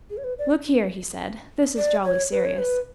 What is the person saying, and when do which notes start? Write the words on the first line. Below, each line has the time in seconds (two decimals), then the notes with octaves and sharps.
'Look here,' he said, 'this is jolly serious.
0.10 G#4
0.17 C#5
0.24 B4
0.39 D5
1.77 D5
2.04 C#5
2.32 B4
2.45 C#5
2.58 B4